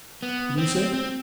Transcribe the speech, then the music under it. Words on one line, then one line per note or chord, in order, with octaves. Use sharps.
"What did you say?"
B3
C4
C4
C4